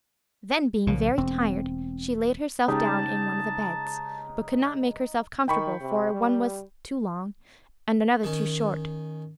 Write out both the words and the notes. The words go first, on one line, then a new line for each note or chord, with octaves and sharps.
Then, being very tired, she laid herself down in one of the beds, but could not make herself comfortable, for one was too long, and another too short.
B1 A#2 C#3 F3
E1 C4
C#3 G#3 D#4 G4 A5
D#3 G5 B5 C#6
C3
G3
D#3 C#4